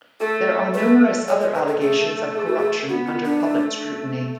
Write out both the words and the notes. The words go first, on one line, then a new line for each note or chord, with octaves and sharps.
There are numerous other allegations of corruption under public scrutiny.
A3 A4
A3 B4
G#3 C#5
C#5
B4
A4
A3 G#4
G#4
F#4
G#4
B3 F#4
F4
D4
A3